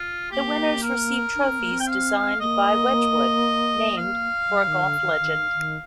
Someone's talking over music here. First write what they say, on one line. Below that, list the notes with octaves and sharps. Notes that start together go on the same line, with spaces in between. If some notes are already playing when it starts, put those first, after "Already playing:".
The winners receive trophies designed by Wedgwood named for a golf legend.
Already playing: F4
A#3 G4
A#4
D4
C4
A#3
C4
G5
F5
A#3 D#5
F5
G3
D#3
D3
D#3
D#3
D#3